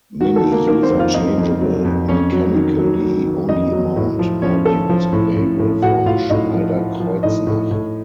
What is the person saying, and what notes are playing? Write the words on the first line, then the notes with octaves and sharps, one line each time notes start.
Many user-changeable mechanically-only mount modules available from Schneider Kreuznach.
D#3 F#4
A4
D#3
A#3 A#4
D#3 A#3 A#4
C4 C5
F2
F4 F5
F2 D#4 D#5
F2
F#3
F2
F2 C#4 C#5
F#3
D#3
F#3
F#3
D#3
F2 D#4 D#5
F#3
A2
F3
F3 C#4 C#5
F3 A4
F3
A2
A2
A2
A2 F#4 F#5
A2 F4 F5
A2 D#4 D#5
F3
F3
F3
A2 D#4 D#5
A2
A2